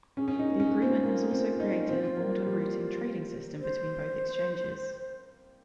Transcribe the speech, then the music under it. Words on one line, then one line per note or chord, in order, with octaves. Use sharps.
The agreement has also created an order routing trading system between both exchanges.
C#4 G#4
C#4
D#4 G#4
A#4
C#4 G#4
C4 F4
A#3 F4
C4
D#4
C4
A#3
G3
C5